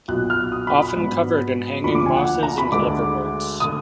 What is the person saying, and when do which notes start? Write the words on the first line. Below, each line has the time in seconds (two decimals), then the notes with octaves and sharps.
Often covered in hanging mosses and liverworts.
0.08 B1 A#2 F#3 F#6
0.30 F6
0.52 D#6
0.67 B5
0.82 B5
0.96 G#2 F#3 B3 D4
1.84 D2 D3 F3 A#3 D4 B5
1.95 D6
2.06 G#5
2.17 F#5
2.43 A#5
2.58 B5
2.72 D2 D3 G#3 D4 D6
3.60 D3 D#6